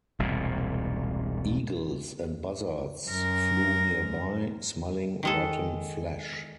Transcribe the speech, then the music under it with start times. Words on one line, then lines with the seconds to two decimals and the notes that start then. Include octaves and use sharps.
Eagles and buzzards flew nearby, smelling rotten flesh.
0.19 E1 C2 A#2
3.07 F#2 A#4
5.23 D#3 G#3 A4